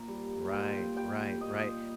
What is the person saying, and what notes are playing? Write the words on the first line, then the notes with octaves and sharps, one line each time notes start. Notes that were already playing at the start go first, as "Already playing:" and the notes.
Right, right, right.
Already playing: A#2 A#5
G3
A#2 G5
G3 G5
A#2 D#5